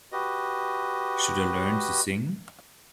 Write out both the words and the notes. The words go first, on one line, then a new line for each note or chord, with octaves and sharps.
Should I learn to sing?
F#4 G4 B4 D#5